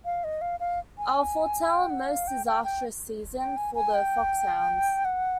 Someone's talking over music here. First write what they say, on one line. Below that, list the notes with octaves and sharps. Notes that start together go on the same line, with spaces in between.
I'll foretell a most disastrous season for the foxhounds.
F5
D#5
F5
F5
G#5
G5
F#5
F5
G5
G5
G5
G5
G#5
G#5
G5
F#5